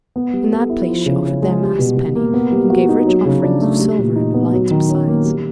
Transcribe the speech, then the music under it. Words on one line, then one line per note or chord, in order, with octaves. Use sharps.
In that place she offered their Mass penny, and gave rich offerings of silver and of lights besides.
B3
G3
A4
E4
F3
C#3
C#4
G#3
G3
B2
B2
A#3
B3
G3
F#4
D#4
F#3
C#3
D4
A3
G3
A#2
D#4
B3
F#3
D#3
C#4
A#3
G3